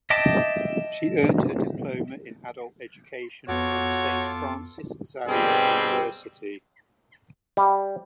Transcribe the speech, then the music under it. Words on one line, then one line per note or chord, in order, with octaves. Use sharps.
She earned her Diploma in Adult Education from Saint Francis Xavier University.
D#5 E5 G5 A5 D6
F2 B3 F4 F#4 A4 C#5 D6
G2 B2 G3 C4 G#4
G3